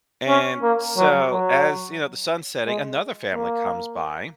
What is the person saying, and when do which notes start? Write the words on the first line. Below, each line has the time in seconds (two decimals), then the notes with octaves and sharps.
And so, as, you know, the sun's setting, another family comes by
0.28 C#4
0.63 A#3
0.97 F#3
1.30 F#3
2.67 G#3
3.35 A#3